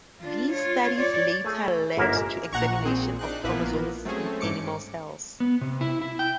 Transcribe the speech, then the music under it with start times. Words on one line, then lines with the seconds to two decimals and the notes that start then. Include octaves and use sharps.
These studies later led to examination of chromosomes in animal cells.
0.21 D4 F4
0.52 F4 C#5
0.99 C#5 D5
1.44 A3 G#4
1.97 G1 G#2 A#3 A#4 E5
2.53 A#1 A#2 F#5 A#5 C#6
2.85 C4 G#4
3.19 D4 D#4 F#6
3.44 A#1 F3 A#3 B3 E4 B4
4.05 F#3 A3 C4 C#4 G#4
4.40 G#2 D6 C#7
5.40 B3
5.61 C3
5.81 E4
6.02 E4
6.19 G5